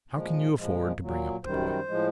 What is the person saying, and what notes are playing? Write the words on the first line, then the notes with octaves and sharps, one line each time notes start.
How can you afford to bring up the boy?
A#2 F3 G#3
A#2 F3 G#3
A#2 F#3
F#2 D#3 G3 C5
A2 F3 G#3